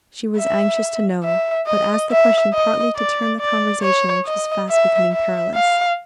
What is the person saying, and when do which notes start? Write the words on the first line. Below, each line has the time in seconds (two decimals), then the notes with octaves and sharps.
She was anxious to know, but asked the question partly to turn the conversation which was fast becoming perilous.
0.37 E5
1.24 E5
1.67 D#5
2.11 E5
2.53 D#5
2.96 D5
3.40 D5
3.83 C#5
4.26 D#5
4.70 E5
5.12 E5
5.55 F5